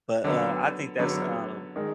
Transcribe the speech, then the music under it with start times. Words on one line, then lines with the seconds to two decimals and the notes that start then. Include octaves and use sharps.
But, uh, I think that's, um,
0.24 D3 F#3 B3
0.99 D3 F#3 B3
1.76 D#3 G#3